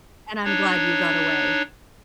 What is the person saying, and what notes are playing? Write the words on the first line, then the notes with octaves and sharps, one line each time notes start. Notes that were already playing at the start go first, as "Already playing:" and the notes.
And I'm glad you got away.
D4 D#4 C#5